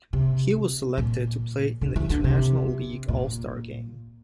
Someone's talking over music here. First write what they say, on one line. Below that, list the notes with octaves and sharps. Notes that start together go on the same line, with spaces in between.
He was selected to play in the International League All-Star game.
C3
A#2
D3
E3
D3
C3
A#2